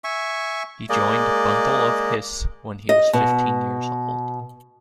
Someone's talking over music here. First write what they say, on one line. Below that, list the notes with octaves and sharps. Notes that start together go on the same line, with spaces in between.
He joined Bundle of Hiss when he was fifteen years old.
E5 G#5 C#6
G#3 A#3 D5 D#5
D#5
B2